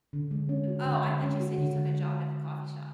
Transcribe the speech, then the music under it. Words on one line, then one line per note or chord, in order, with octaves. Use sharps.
Oh, I thought you said you took a job at the coffee shop.
D3
G#3
C#4
F#4
D3
G#3
C#4
F#4
D3
G#3